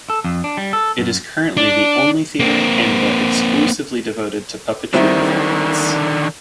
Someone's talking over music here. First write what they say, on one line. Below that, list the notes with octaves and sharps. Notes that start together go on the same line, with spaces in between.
It is currently the only theatre in Canada exclusively devoted to puppetry performance.
A4
F2
D4
G3
A4
F#2
D4
A#3 C4
D3 D#3 G3 C4 E4